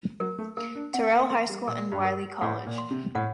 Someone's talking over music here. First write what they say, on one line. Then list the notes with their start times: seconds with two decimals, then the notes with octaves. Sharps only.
Terrell High School and Wiley College.
0.20 F#3 A#4
0.38 A3
0.57 A#3 A#4
0.75 D4
0.94 C4 F#5
1.12 A#3
1.30 A3 C6
1.50 G3
1.67 A#2 A#4
1.92 G2
2.05 A#4
2.41 A2 F#5
2.66 A#2
2.78 C6
2.91 C3
3.15 A2 F#5